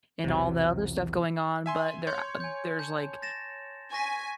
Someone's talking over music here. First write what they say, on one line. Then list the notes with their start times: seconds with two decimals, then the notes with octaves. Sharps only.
and all the other stuff going on, but there uh, um, there's, like,
0.24 B1 E2 C3 E3 F#3
1.66 E5 G#5 C6
2.07 C#5 C6 G6 G#6
2.40 G#5 G6
2.79 A5 G6
3.22 A6 A#6 E7
3.93 G#5 C#6 A#6 B6